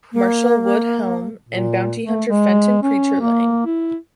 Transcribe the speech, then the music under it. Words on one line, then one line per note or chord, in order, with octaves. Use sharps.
Marshal Wood Helm and bounty hunter Fenton "Preacher" Lang.
A#3
A#2
A3
G#3
C#4
A#3
E4